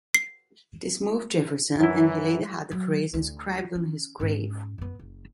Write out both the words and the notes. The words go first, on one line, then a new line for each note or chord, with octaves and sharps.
This moved Jefferson, and he later had the phrase inscribed on his grave.
C7
F#2 E3 E4
F#3
D2
C#4
G#2 C#4
F#2 B3
F#1